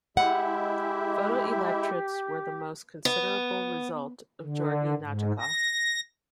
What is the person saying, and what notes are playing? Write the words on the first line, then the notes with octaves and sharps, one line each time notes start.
Photoelectrets were the most considerable result of Georgi Nadjakov.
G#3 E4 G4 E5 F#5
B3
D3
G#2
A#6